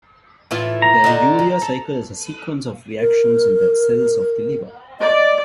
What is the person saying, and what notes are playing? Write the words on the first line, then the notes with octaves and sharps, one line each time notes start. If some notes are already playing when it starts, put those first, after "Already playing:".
The urea cycle is a sequence of reactions in the cells of the liver.
A2 E3 F4
A#5
D3 D#4
D#3
A4
A#4
D5 D#5